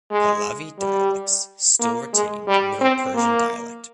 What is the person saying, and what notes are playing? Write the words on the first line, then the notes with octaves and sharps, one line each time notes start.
Pahlavi dialects still retain the Middle Persian dialect.
G#3
G3
A#3
G#3
G3
C4
A#3